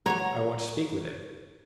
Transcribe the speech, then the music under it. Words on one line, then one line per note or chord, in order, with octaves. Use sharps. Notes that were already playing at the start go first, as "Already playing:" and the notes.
"I want to speak with him."
F#3 B3 F#4 C#5 A#5